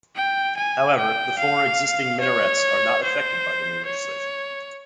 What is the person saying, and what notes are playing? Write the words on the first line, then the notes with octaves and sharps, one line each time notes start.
However, the four existing minarets are not affected by the new legislation.
G5
G#5
G5
F5
C#5
C5
C#5